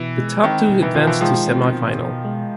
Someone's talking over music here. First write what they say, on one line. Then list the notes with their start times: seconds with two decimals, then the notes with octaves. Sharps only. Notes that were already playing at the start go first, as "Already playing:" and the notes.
The top two advanced to semifinal.
Already playing: B2 E3
0.17 G#3
0.43 D#3 C4
0.69 B2
0.82 E3
0.95 B2 F3
1.07 E3
1.21 D#3 F3 G#3
1.48 C4
1.73 B2
1.99 B2
2.25 G#3